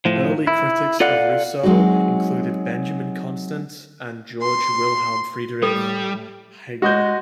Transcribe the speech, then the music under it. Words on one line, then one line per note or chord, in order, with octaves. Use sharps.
Early critics of Rousseau included Benjamin Constant and Georg Wilhelm Friedrich Hegel.
A2 F3
E4
F4 A4 D5 F5 F#5
F#3 G#3 C4 D#4 F#4
C6
A2 G3 A4
G#3 F#4 D#5 G6